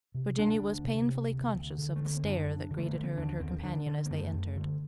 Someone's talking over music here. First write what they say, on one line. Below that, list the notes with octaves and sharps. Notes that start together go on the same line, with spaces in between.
Virginia was painfully conscious of the stare that greeted her and her companion as they entered.
C3
D2 D4
D2
C3
C3
D2
D2
D3
A3
D3 A#3
C4
F#2 D4
F#2
D3
A3
D3 A#3
C4
D#2 D4
D#2 C4
D3 D4
D3
A#3
F#2 A3
F#2
D3